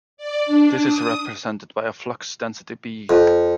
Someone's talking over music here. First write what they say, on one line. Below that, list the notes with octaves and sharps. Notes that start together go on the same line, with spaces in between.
This is represented by a flux density B.
D5
D4
D#6
F2